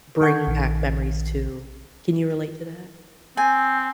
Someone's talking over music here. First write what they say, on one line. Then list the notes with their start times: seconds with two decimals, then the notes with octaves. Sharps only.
bring back memories too. Can you relate to that?
0.21 D#3 A4 F#5 C#6 G6 G#6
0.47 A#1 D#3
3.37 C4 G#5